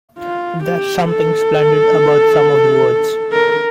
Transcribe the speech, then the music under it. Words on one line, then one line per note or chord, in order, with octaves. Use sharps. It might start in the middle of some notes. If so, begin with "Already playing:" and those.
There’s something splendid about some of the words.
F4
G4
A4
A#4